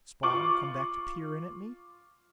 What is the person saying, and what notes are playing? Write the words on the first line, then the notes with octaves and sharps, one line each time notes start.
Spawn, come back to peer in at me?
F4 C#6 D6 F#7